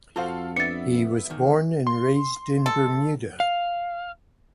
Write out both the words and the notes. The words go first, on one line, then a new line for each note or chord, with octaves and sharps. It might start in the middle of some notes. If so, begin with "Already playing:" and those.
He was born and raised in Bermuda.
F2 F4 F#4 A4 C5 F5
B3 D4 E5 A6 C#7
E2 D#3
C6
A4
F5